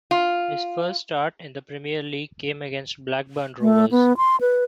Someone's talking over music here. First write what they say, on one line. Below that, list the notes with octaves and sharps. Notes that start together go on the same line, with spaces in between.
His first start in the Premier League came against Blackburn Rovers.
F4
A3
B3
C6
B4